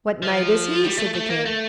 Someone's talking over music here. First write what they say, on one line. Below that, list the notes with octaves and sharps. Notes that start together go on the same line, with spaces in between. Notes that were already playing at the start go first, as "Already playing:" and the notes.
What knight is he? said the king.
F3
G3
A3
A3
A#3
A3